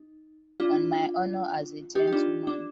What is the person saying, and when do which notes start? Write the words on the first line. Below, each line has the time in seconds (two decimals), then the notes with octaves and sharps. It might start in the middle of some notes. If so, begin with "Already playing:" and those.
On my honor as a gentleman.
Already playing: D#4
0.60 D4 F4
1.95 D#4 G4
2.07 G4
2.12 D4 F4
2.47 D4